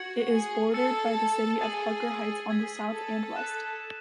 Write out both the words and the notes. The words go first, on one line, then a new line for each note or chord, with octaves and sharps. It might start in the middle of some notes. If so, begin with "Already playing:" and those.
It is bordered by the city of Harker Heights on the south and west.
Already playing: F#4 G#6 C#7 F#7
G#4
A4 E6 A6 C#7
G#4 D#6 A6 D#7 F#7
G#4 E6 G#6 B6
A4
F#6 B6 E7